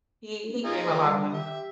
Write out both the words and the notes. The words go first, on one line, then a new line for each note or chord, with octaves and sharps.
he he gave a lotta money.
D#4 F4 G#4
G3
G4 E5